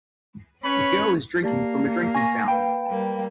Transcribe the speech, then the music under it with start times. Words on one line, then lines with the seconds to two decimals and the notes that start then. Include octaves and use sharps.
A girl is drinking from a drinking fountain.
0.64 C#4 B4 C#5 B5
1.42 A#3 G4 D5 A5
2.15 G#5 C#6 A#6
2.48 B4 F5 G5 B5
2.88 G3 A#3